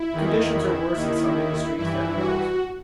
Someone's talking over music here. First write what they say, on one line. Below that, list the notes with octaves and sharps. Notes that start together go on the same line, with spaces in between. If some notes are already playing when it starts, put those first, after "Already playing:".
Conditions are worse in some industries than in others.
Already playing: E4
E2 D#3
D#2 D#3
G2 E3 E4
F#4